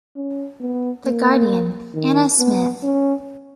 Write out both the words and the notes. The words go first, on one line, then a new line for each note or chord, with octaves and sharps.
The Guardian, Anna Smith.
C#4
B3
A#3
D#3
B3
C#4